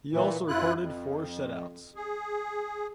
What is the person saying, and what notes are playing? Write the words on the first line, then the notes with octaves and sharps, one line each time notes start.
He also recorded four shutouts.
A#2 E3
F#2 E4 F4 F#6
F2
G#4